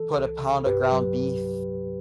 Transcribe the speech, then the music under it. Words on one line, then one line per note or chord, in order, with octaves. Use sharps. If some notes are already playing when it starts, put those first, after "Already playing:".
put a pound of ground beef
Already playing: E3 A4
C2
C3
G2 G4 B4
F#3